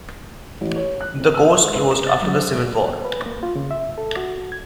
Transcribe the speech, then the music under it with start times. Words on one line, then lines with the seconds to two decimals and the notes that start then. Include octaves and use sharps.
The course closed after the Civil War.
0.61 A1
0.76 C#5
1.01 F#6
1.20 C4
1.34 E6
1.61 G#3
1.74 B4
1.91 E7
2.06 A6
2.22 F#3
2.34 C5
2.54 A#2
3.04 B4
3.26 A#3
3.43 F4
3.56 C#3
3.71 E5
3.98 A4
4.17 F#4
4.52 G#6